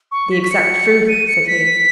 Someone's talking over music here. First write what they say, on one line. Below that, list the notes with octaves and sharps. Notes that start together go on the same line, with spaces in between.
'The exact truth!' said he.
C#6
B6
B6
C#7
D#7
C#7
B6